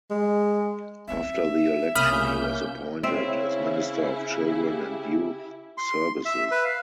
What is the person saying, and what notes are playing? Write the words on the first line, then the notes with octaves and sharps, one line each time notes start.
After the election he was appointed as Minister of Children and Youth Services.
G#3
C4 C#4 E5
C2 A#3 C#4 B5 D#6 F6 G6
C#3 C4 E4 C#5 E5
G4
C6
E5
B4
F5